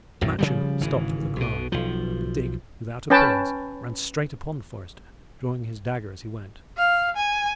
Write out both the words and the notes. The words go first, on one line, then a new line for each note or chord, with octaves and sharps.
Matcham stopped with a cry; but Dick, without a pause, ran straight upon the forester, drawing his dagger as he went.
B1 F#2 A2
C#3 F3 G3
G#1 C#3 E3
B1 B2
B1 F3
C#4 B4 G5 A5
F5
G#5